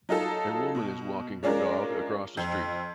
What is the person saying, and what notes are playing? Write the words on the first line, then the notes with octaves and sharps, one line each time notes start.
A woman is walking her dog across a street.
F#3 D#4 F4 A4
B2
G#3 C#4 D4 F4 A#4
F2